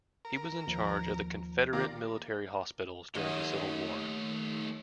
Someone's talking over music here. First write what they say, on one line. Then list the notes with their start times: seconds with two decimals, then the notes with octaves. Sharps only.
He was in charge of the Confederate military hospitals during the Civil War.
0.25 A#4
0.67 D#2 F3
1.73 D#3 A#3 F4 G4 D5 A#5
3.15 D#2 A3 D#5